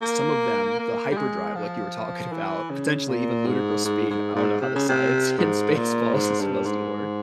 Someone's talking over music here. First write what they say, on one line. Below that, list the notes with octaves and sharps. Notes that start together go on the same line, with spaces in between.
some of them- the hyperdrive, like you were talking about- potentially even "ludicrous speed", I don't know how the science in Spaceballs is supposed to work,
A#3
A#3
G3
G#3
F3
E3
C#3
A#2
G#2
G#2
G#2
G#2
C3
C#3
C3
G#2
A#2
G#2
G2
G#2